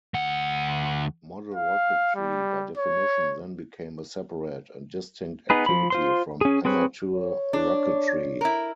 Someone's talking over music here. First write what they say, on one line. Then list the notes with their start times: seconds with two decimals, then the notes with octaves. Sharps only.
Model rocketry by definition then became a separate and distinct activity from amateur rocketry.
0.14 D2 F#5
1.54 F5
2.15 G3
2.77 C#5
5.50 B3 D#4 G#4 B4
5.66 F3 B5
5.90 F4 C5 C6
6.41 C#4 G#4
6.65 C4 G#4 B4 C#5
7.14 C#5
7.53 D4
8.41 E4 A#4